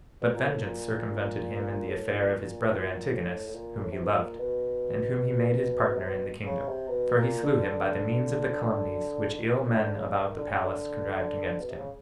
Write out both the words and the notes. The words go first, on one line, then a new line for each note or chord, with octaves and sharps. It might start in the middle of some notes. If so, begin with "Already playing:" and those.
But vengeance circumvented him in the affair of his brother Antigonus, whom he loved, and whom he made his partner in the kingdom; for he slew him by the means of the calumnies which ill men about the palace contrived against him.
B2
A#2
A2
A#2
A2
A2
A#2
B2
A#2
A#2
A2
A2
A#2
A2
C3
B2
A#2
B2
C3
B2
C#3
C3
B2
A#2
D3
D3
D#3
D3
C#3
D#3
D3
C#3
D3
B2
C3
C#3